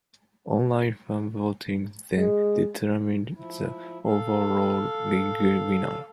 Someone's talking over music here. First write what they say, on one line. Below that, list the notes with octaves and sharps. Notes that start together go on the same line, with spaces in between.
Online fan voting then determined the overall League winner.
G#3
F3 E4
A4 F5